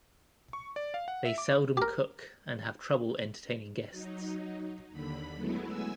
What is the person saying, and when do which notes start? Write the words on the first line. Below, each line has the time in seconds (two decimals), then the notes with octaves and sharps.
They seldom cook, and have trouble entertaining guests.
0.53 C#6
0.76 D5
0.94 F5
1.08 F#5
1.25 E5
1.38 D6
1.77 G4 A#4
3.90 F#3 D#4
4.90 D#2 D3 B5
5.35 F#3 G#3 A3 B3 E4
5.64 G#5 E6